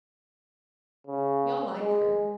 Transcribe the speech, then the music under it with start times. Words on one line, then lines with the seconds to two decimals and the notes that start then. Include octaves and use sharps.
We all like her.
1.07 C#3
1.79 G#3